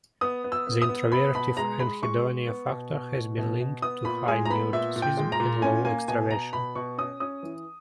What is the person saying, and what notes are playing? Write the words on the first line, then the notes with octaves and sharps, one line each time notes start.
The introvertive anhedonia factor has been linked to high neuroticism and low extraversion.
B3 D#6
B3
E6
B3
D#6
B3
B3 B5
B2 B5
G#3 A#5
G#3 B5
G#3 C#6
G#3
B3
B2
B2
B2
B2
B2
B3 D#6
A#2 B5
G#3 G#5
A#5
B3 B5
A#2 E5
A#2
G5
G#3
A#5
A#2
C#4 G#5
A#3 G#5
B2 G#5
B2 A#5
B2 B5
B2 C#6
C#4 D#6
C#4 D#6
E3